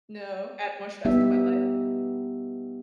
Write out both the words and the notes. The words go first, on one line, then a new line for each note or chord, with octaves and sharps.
No, add more stress to my life.
G3 B3 D#4 G4 E5